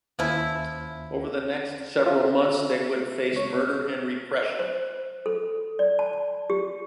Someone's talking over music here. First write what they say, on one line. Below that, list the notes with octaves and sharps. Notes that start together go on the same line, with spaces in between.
Over the next several months they would face murder and repression.
D#2 C#3 F3 E4
F4 F#4 A4 E5
C#2 C#5
C5
A4
D5
A5
G4